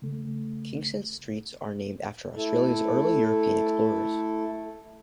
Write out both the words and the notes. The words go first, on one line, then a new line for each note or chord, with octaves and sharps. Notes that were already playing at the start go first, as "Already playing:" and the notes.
Kingston's streets are named after Australia's early European explorers.
C#3 A3
A3 E4 A4